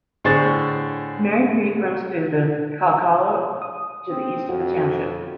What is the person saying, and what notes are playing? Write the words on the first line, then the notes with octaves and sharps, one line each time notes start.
Merri Creek runs through Kalkallo to the east of the township.
A2 D3 G#4 C5 C#6 A6
D#6
C4
F2 F#4